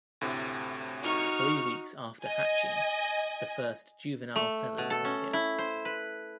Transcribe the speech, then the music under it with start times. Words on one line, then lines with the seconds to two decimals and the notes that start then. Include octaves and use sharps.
Three weeks after hatching, the first juvenile feathers appear.
0.21 D2 A2 C3
1.03 D#4 F#4 C#6 F6
2.23 D#5 G#5
4.36 A3
4.78 B2
4.90 A4
5.05 C#4
5.33 E4
5.58 C5
5.85 B4